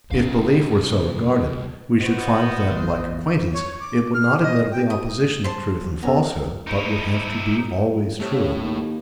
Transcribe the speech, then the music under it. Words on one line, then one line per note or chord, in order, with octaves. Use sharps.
If belief were so regarded, we should find that, like acquaintance, it would not admit of the opposition of truth and falsehood, but would have to be always true.
C2 D3 C#4 F5
B3 F#4 C5 D#5
A1 E2
C#5
D6
F6
D#5
G5
D#6
C5 A5
B3 C#4 A4 A#5
D#4 E4
C3 A3 C#5
C#3
D#2